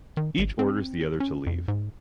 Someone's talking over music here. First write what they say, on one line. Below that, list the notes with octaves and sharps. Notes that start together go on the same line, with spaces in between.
Each orders the other to leave.
D#3
G#1
C4
C#4
F2
G#2